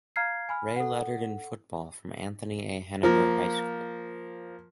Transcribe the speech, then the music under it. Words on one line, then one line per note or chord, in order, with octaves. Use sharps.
Ray lettered in football from Anthony A Henninger High School.
F5 A#5 F6 G#6 C7
G#5 B5 F6
A4 F#5
F3 A#3